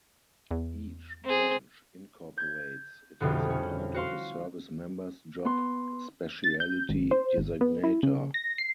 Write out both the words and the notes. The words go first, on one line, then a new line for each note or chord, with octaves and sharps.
Each branch incorporates it as part of a service member's job specialty designator.
E2
C4 G#4
G6 G#6
E1 C2 F2 B2 D3
C#4
F#4 F5 C6
B3 C6
A6
G6
G#1
C5
G#1
B3
E4
C#3
A#6
C7